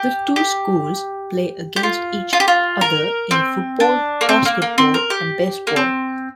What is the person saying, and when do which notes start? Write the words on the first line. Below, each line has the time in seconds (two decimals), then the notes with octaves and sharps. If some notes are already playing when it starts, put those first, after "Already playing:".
The two schools play against each other in football, basketball, and baseball.
Already playing: G4
0.36 G4
1.76 G4
1.83 F4
2.33 F4
2.40 G4
2.48 F4
2.81 A#4
3.31 C4
3.80 D4
4.21 A#3
4.29 C4
4.45 A#3
4.62 A#3
4.78 C4
4.94 A#4
5.10 G4
5.67 A#3
5.76 C4